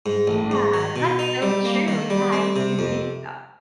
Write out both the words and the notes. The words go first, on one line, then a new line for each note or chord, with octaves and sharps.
Yeah, that's so true, yeah, I didn't even think about
G#2
A1
G#2
D#3
B2
D#4
G3
A#3
D#3
G3
C4
C3
F2